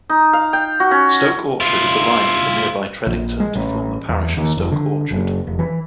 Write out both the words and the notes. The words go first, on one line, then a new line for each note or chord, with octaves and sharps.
Stoke Orchard is aligned with nearby Tredington to form the Parish of Stoke Orchard.
D#4
F5
G5
F#4
C#4
E4 F4
A#1
G#3
A1
E2
D#2
F1
D3
F#1
F1
E3